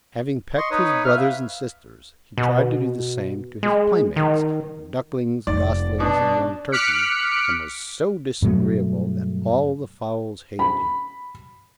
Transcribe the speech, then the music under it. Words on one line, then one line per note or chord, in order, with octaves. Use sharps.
Having pecked his brothers and sisters, he tried to do the same to his playmates, the ducklings, goslings, and young turkeys, and was so disagreeable that all the fowls hated him.
D#5 C6 C#6
D#4 B4 C#5 D#6
D#6
B4 E5 F6
F5
B2
G#3
D#3
F1 D#4 D5
B2 D4
D6 F6 F#6 B6 C#7 D7
G2 B2 F#3 A3
B5